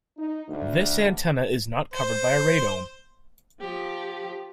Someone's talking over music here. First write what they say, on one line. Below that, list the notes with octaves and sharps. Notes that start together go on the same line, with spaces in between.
This antenna is not covered by a radome.
D#4
D2
C5
F3 G4